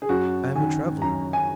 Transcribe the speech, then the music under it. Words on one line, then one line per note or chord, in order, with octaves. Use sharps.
I am a traveler!
G#4
F#2 F#4
D#3 G#5
F#2 A#5
G#5